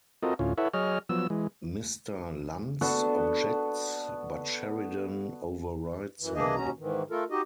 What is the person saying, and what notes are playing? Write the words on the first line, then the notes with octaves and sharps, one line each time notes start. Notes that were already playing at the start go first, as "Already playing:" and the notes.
Mr. Lantz objects, but Sheridan overrides him.
C4 F4 F#4 A4 A#4 D#5
D2 A2 C#4 F4
E4 A4 B4 C#5 E5 F#5
F#3 G#4 C#5 D#5 F6
F3 F#3 B3 E6
E3 G#3
B3 D4 F#4 A4
F#2 E3
E3 A#3 D4 G#4 D#5
D#2 B2 C#4 F#4 A#5
G#2 D#3 E3
A3 F4 A4 A#4
D#4 F#4 G4 D#5